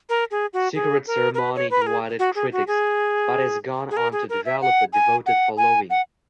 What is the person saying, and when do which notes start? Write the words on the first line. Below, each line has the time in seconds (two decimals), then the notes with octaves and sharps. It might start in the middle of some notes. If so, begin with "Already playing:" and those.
"Secret Ceremony" divided critics, but has gone on to develop a devoted following.
0.09 A#4
0.31 G#4
0.53 F#4
0.75 G#4
1.07 A#4
1.34 A#4
1.38 B4
1.55 C#5
1.70 B4
1.81 A#4
1.86 G#4
2.19 F#4
2.35 G#4
2.52 F#4
2.67 G#4
3.91 G#4
3.97 A#4
4.12 G#4
4.29 A#4
4.45 E5
4.61 F#5
4.93 G#5
5.26 F#5
5.57 G#5
5.90 F#5